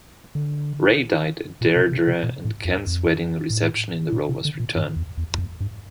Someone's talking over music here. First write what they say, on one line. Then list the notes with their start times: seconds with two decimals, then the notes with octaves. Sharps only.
Ray died at Deirdre and Ken's wedding reception in the Rover's Return.
0.35 D3
1.61 A#2
1.76 C3
1.92 C3
2.07 C3
2.23 A#2
2.45 A2
2.65 F2
2.87 F2
3.50 A2
4.13 A#2
4.29 C3
4.45 D3
4.60 A#2
4.76 G2
4.96 E2
5.18 E2
5.34 E2
5.38 F2
5.61 G2